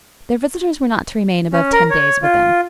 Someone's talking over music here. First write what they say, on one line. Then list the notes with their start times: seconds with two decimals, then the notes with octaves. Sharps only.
Their visitors were not to remain above ten days with them.
1.53 C#4
1.72 A#4
1.90 C#5
2.22 F4